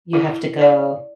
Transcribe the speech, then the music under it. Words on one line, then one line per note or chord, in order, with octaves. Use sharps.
You have to go.
E4
D5